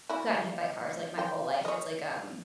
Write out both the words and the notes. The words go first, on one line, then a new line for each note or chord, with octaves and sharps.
gotten hit by, uh, cars, like, my whole life. It’s like, um
E4 F#4
C5 G5
C#5 D#5